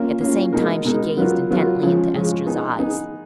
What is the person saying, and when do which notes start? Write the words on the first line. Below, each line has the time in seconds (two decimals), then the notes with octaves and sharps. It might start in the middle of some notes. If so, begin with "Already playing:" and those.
At the same time she gazed intently into Estra's eyes.
Already playing: A#3 C#4 F4
0.21 A#3 C#4 F4
0.53 B2 G#3 D#4 A#4
0.85 B2 G#3 D#4 A#4
1.17 F#3 B3 F4 A#4
1.51 F#3 B3 F4 A#4
1.82 C#3 F3 G#3 C#4
2.14 C#3 F3 G#3 C#4
2.47 B3 D#4 G#4
2.79 B3 D#4 G#4